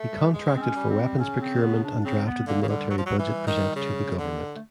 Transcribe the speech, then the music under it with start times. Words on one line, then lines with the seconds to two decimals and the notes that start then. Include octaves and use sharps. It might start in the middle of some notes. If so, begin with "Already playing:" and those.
He contracted for weapons procurement and drafted the military budget presented to the government.
Already playing: A3
0.12 G3
0.33 G#3
0.57 C4
0.61 C#4
0.76 G3
0.90 C4
1.19 C#3 C#4
1.41 C4
1.62 B3
1.84 D4
2.04 C#3 C4
2.26 B3
2.47 D3 A#3
2.62 C#3
2.68 D3 G3
2.90 F#3
2.98 F3
3.06 F#3
3.19 E3
3.47 D#3
3.75 C#3
4.19 D3
4.56 A3